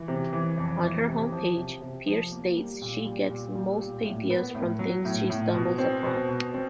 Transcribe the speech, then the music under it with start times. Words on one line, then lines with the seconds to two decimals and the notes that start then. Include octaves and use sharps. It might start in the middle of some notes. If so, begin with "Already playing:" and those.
On her homepage, Pierce states she gets most ideas from things she stumbles upon.
Already playing: E3
0.08 C3
0.33 E3
0.58 F2
0.83 E3
1.08 C3
1.32 F3
1.57 C3
1.81 C3
2.07 F3
2.32 A#3
2.57 G3
2.82 A#2
3.05 G3
3.30 A#2
3.55 G3
3.81 A#2
4.05 A2
4.30 B3
4.55 A2
4.79 F#3
5.05 A2
5.30 A2
5.54 B2
5.78 C4
6.04 B2
6.29 B2
6.54 C4